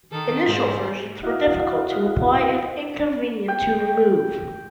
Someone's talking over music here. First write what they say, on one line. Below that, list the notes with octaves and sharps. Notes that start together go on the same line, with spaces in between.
Initial versions were difficult to apply and inconvenient to remove.
D#3 A4
G#2 C5
E4 F#4 D#5 F5 F#5
G5